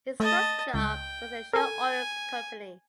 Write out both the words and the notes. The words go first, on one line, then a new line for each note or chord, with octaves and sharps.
His first job was at Shell Oil Company.
A3 D#5 A5
C#2 G5
A4 A#4 G#5